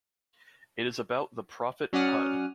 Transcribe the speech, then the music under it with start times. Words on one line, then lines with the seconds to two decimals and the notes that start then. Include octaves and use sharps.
It is about the prophet Hud.
1.93 F#3 C#4 D5 F#5 D#6 F6